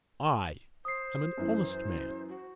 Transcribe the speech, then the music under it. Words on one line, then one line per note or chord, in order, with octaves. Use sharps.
I am an honest man.
C5 D#6 C7
F#2 E3
F#4